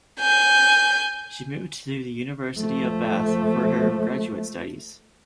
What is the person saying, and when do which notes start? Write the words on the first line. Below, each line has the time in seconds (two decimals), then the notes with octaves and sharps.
She moved to the University of Bath for her graduate studies.
0.19 G#5 G6
2.57 F3 A3